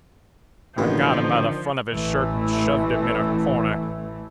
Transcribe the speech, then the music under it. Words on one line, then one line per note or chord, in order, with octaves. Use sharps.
I got him by the front of his shirt and shoved him in a corner.
A1 D#2 B2 D3 D#3 F3 B3 D4
A1 E3 A3